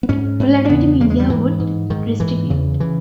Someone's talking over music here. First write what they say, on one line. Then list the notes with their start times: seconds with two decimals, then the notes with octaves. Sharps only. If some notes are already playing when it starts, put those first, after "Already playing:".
Relativity Media would distribute.
0.03 B3
0.09 G#2 C#4
0.40 G#2
0.65 C#4
0.69 E2 C#3 B3
1.00 E2 C#3 A#3
1.10 G#3
1.20 G3
1.29 G#2 E3
1.60 G#2
1.90 G#2 D#3
2.20 G#2 E3
2.50 E2 C#3
2.80 C#3 E3